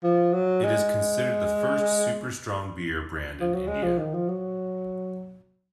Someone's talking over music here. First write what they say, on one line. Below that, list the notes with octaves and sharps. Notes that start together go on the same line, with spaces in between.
It is considered the first super-strong beer brand in India.
F3
F#3
G#3
F3
F#3
G#3
F3
D#3
F3
F#3